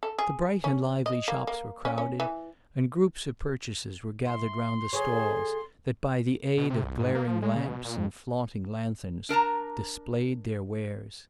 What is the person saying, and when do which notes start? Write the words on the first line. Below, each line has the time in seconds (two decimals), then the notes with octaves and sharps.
The bright and lively shops were crowded; and groups of purchasers were gathered round the stalls, that by the aid of glaring lamps and flaunting lanthorns, displayed their wares.
0.03 A4
0.19 G#4
0.64 C#4
1.06 D#5
1.28 A#3
1.47 A#3
1.85 C#4
1.98 C#4
2.20 E3
4.26 E4 C6
4.93 D3 G#4 C#5
6.58 B2
6.70 C3
6.84 C2
6.99 G#2
7.15 A#3
7.27 F3
7.42 G#3
7.56 C#3
7.68 B2
7.85 A#2
7.97 F2
9.29 D4 A#4 A5 A#5